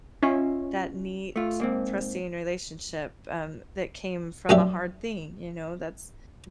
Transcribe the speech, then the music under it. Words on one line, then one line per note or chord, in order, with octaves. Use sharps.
that neat trusting relationship, um, that came from a hard thing, you know, that's
C#4 F4 D#5 E5
A3 F4
G#2 A#3 C4
F#2 C#4 D4 G4 D5 E5